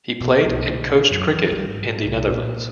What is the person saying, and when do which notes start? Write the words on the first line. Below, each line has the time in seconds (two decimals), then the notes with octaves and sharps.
He played and coached cricket in the Netherlands.
0.20 B2
0.45 B1
0.65 D3
1.10 F#2
1.28 E3
1.52 G3
1.65 G#1
2.03 C2
2.30 A#2